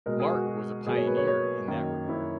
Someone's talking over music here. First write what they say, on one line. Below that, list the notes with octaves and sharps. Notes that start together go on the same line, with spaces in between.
Mark was a pioneer in that regard.
B2 G#3 A#4
G#4
F#4
F#4
B2 F#3 A#3 G#4
C#5
B4
C#5
C#5
F#2 D#3 A#3
E4